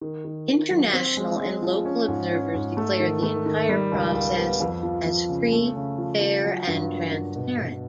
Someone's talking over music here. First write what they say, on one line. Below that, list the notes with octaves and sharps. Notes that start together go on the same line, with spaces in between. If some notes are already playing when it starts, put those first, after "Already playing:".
International and local observers declared the entire process as free, fair, and transparent.
D#3
D#3
D#3
F#3
C4
G#3
G#3
F3
C#4
G#2
C#4
G#2
A3
D#3
A3
D#3
G3
C#2
C#2
B3
F2
F3
F3
C#3
A3
C#3
F3
F3
F#3
G2
A#3
G2
B2
B2